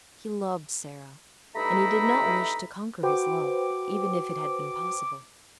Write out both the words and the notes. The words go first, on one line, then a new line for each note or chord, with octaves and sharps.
He loved Sara--and he did not wish to conquer his love, even if it had been possible.
G2 A3 D#4 E4 A#5 B5
F#4 B4 C5 G5 D6